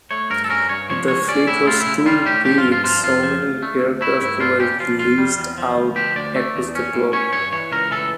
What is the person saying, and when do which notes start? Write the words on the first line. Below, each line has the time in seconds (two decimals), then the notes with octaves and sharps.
The fleet was too big, so many aircraft were leased out across the globe.
0.11 A3 C#5
0.30 G2 A#4
0.44 A4
0.50 C#4 A#4
0.69 G2 C#5
0.90 F3 C#5
1.08 C#2 C#5
1.28 C#4 D5
1.47 A2 E4
1.67 A3 F4
1.81 E4
1.87 C#3
2.06 G3 F4
2.25 A2 G4
2.45 F3 G4
2.58 F4
2.65 G2
2.72 F4
2.84 F3 F4
3.04 F2 F4
3.23 F3
3.43 D2
3.62 A3
3.82 D2
4.01 A3 E4
4.21 G2 E4
4.40 D4 F4
4.59 C#3 G4
4.80 F3 F4
4.98 F2 F4
5.18 G3
5.38 E2
5.58 F3
5.77 D2
5.96 F3 G4
6.16 D2 D5
6.36 A3
6.56 E2
6.75 C#4
6.94 A2
7.13 C#4 C#5
7.33 G2 C#5
7.52 E3 C#5
7.72 C#2 A#4
7.91 E3 A4